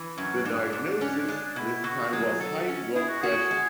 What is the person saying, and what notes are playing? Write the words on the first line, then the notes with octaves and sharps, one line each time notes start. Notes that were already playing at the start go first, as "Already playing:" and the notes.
The diagnosis this time was high blood pressure.
Already playing: E3
F#2 C#4
G#2 D4
G#2
C#4
G#3
B2 E4
B2 F#4
F#3 G#4
F#4 A4
C#4
E4 G#4
F#4
F#4 G#4
G#3